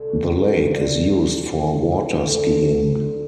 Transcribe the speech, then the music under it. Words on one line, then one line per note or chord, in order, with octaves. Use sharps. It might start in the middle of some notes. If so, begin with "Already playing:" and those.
The lake is used for water skiing.
Already playing: C2 A4
F#4
A3
F#4 A4
C2
G4 A#4
C2 A#4 D5
A3
C2
A3
C2
C2
D3 A4 C5
F#3
F#3
D2